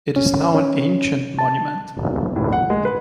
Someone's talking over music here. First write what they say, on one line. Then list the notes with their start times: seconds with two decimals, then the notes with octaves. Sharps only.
It is now an ancient monument.
0.16 C#4
0.55 C#4
1.39 A5
2.36 A2
2.53 F#5
2.70 G#3
2.85 B4